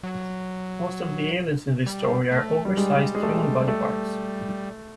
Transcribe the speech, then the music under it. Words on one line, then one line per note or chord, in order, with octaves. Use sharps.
Most of the aliens in this story are oversized human body parts.
F#3
G3
A3
G3
G3 G#3
G#3
A3
A3